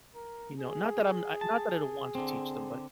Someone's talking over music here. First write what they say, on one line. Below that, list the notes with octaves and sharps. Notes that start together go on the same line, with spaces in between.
You know, not that I'm I not that I don't want to teach them, but
A#4
G#4
A5
D3 C4